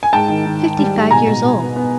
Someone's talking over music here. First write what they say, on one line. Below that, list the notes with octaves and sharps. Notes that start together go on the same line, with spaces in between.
"Fifty-five years old."
G#5
G#2 G5 A5
D#3
D#3
D#3
G3
G#2
B2 G#5 A#5
B2
B2
B3
B3